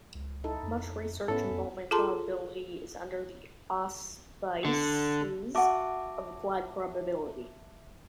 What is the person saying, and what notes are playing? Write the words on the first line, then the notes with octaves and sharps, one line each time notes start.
Much research involving probability is done under the auspices of applied probability.
C#2
D#4 E4 A4
F2
G#2 B3 C#4 E4 A4
F2
F4 G#4 A4 A5 A#5 C6
D3
F#4 E5 F#5 A5 D6